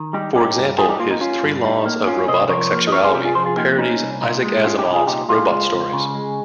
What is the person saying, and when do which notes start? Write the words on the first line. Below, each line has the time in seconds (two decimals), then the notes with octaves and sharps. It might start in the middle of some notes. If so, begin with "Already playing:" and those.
For example, his "Three Laws of Robotic Sexuality" parodies Isaac Asimov's robot stories.
Already playing: D#3
0.13 G3 D#4 G4
0.35 C#4 D#4 G4
0.57 G2
0.78 G3 F4 G#4
0.89 D#4 G4
0.99 A#3 F4
1.11 D#4
1.21 C#4 F4
1.43 G2
1.64 G3 D#4
1.85 A#3
2.07 C#4 F4
2.28 C3 C5 D#5
2.49 F3 A#4 C#5
2.71 A#3
2.87 D#5
2.92 C#4 A#4 C#5
3.04 G#4 C5
3.14 C3 G4 A#4
3.25 F4 G#4
3.35 F3 G#4 C5
3.46 F4 G#4
3.57 A#3 D#4 G4
3.78 C#4 D#4
4.00 C2
4.21 A#2 D#4
4.42 G#3
4.64 C#4 F4
4.78 D#4 G4
4.86 C2
4.93 F4 G#4
5.07 A#2 D#4 G4
5.29 G#3 F4
5.50 C#2
5.72 C#2
5.93 C#3
6.15 G#3